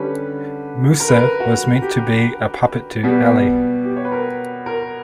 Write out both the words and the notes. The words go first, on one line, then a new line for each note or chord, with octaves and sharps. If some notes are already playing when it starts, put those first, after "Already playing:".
Musa was meant to be a puppet to 'Ali.
Already playing: D3 G3 C#4 B4
A#4
B4
A#4
F#4
G4
B2 G3 B3
G4
C#5
B4
A#4
A#4